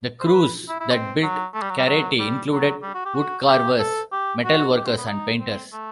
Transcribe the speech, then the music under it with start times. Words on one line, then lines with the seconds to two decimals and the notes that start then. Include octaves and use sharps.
The crews that built carretti included woodcarvers, metal workers, and painters.
0.21 C5
0.26 B4
0.69 E4
0.80 E4
0.91 C4
1.22 F#3
1.54 A3
1.62 G3
1.70 F#3
1.78 G3
1.86 F#3
2.19 G3
2.52 F#3
2.83 G3
2.94 F#4
3.05 G4
3.15 F#4
3.48 G4
3.79 A4
4.12 G4
4.44 F#4
4.76 G4
4.86 C4
4.97 B3
5.07 D#4
5.39 C4
5.72 A3